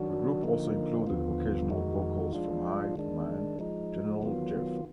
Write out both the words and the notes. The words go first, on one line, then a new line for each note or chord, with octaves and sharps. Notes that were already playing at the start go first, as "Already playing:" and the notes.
The group also included occasional vocals from hype man General Jeff.
Already playing: D#3 F#3 D4 F#4
D3 F3 A#3 D#4
D#2 D3 F3 B3 F4
F2 D#3 G#3 D#4 F#4
F3 G#3 D4 F4
D#3 G#3 D4
F3 G#3 D#4
D#3 F#3 B3 F4